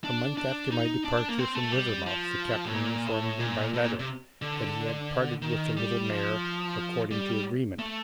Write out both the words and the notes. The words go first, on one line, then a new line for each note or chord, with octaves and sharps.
A month after my departure from Rivermouth the Captain informed me by letter that he had parted with the little mare, according to agreement.
D4
D4
D#4
D4
A#3
C4
A3
G3
F3
A2
A#2
A2
A#2
A2
A#2
C3
D3
D#3
G3
F3
G3
A3